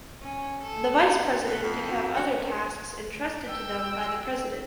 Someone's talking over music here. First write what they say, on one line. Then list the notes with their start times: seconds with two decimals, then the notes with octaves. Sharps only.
The vice president can have other tasks entrusted to them by the president.
0.22 C#4
0.61 A4
1.47 B2
1.63 F2
1.88 D#4 F#4
2.16 D4 F#4
3.48 G5 E6